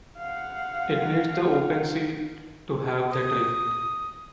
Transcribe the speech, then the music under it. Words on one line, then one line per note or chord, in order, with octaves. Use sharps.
It needs the open C to have that ring.
F5 F#5
D#6